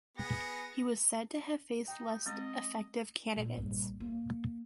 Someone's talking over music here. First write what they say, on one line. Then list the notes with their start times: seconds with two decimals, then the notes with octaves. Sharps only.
He was said to have faced less effective candidates.
0.17 B3 G#4 A#6 C#7
1.88 D#4 G5
2.26 G#3 C4 D#5
3.37 A#2 F4
3.57 A#1 G2
4.00 A#3